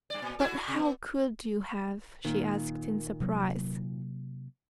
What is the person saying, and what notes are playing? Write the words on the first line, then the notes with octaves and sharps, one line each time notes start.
"But how could you have?" she asked in surprise.
G2 D5
A#2
E4 F#4 A4
C3
B3
A#2 D#3
C3 F#3 A#3